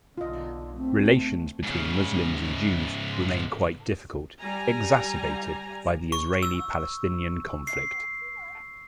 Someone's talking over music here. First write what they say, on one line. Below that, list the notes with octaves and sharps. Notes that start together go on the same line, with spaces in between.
Relations between Muslims and Jews remain quite difficult, exacerbated by the Israeli-Palestinian conflict.
B1 D3 F4 D#5
A3 C4
G#2 C#3
G3 G#5 A#5
C#6
E6
C7